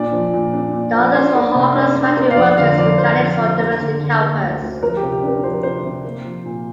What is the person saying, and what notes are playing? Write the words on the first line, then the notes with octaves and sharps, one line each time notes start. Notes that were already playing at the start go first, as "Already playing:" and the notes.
The others were hawkers, factory workers, mechanics or domestic helpers.
Already playing: A#2 D4 D5
F3
A#2
D4
A#2
F3
D4 C5
A#3
C3
D4
D4
A#3
F5
F2 D5
D3 F5
F2 D5
F2 C5
F2
F2
A#3
D3
D3
A#3
D2
D2
F3 A#4
G4
C3
G4
D4 A#4
F3 C5
A#4
C3 C5
C3
A#3
F3
A#2